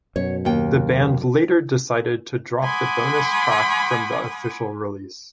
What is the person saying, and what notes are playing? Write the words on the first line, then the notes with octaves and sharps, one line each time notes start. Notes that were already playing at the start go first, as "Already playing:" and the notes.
The band later decided to drop the bonus track from the official release.
F#2 B2 C#5
D#2 G5
F#5 G#5 B5 C6 D6 D#6